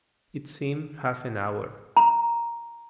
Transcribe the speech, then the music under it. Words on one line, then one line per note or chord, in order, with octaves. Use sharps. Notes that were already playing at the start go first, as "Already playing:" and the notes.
It seemed half an hour.
A#5